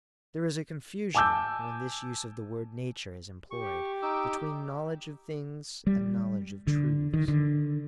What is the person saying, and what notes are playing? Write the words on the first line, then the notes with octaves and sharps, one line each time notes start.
There is a confusion, when this use of the word 'nature' is employed, between knowledge of things and knowledge of truths.
G#5 A5 D6 E6 G6
G4 C#6
D#4 D6 E6
G3
D3
D#3
D3